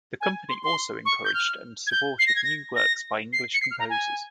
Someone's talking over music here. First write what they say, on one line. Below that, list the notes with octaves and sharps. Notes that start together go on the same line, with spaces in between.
The company also encouraged and supported new works by English composers.
G#5
C6
C6
C#6
G6
F6
G#6
G6
C7
A#6
G#6
A#6
A#6
C7
C#7
C7
F6
A#5
G#5